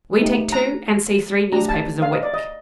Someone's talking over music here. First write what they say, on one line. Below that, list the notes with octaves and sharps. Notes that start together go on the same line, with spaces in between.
We take two and see three newspapers a week.
A3 D#4 G4
A#5
A3 D4 G4 A#5
A5
F5
D#5
D5
D#5